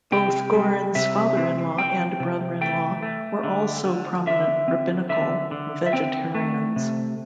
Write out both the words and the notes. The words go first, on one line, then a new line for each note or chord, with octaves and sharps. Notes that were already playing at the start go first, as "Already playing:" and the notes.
Both Goren's father-in-law and brother-in-law were also prominent rabbinical vegetarians.
C3 G5
G3
C3 E5
C4
C4 G5
C3
A3 G5
A3
D3
D3
D3 E5
C4
D3 E5
D3
E5
C4 G5
A3
C3